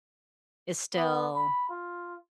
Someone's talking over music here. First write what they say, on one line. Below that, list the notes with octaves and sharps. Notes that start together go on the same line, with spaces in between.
is still
B3
B5
F4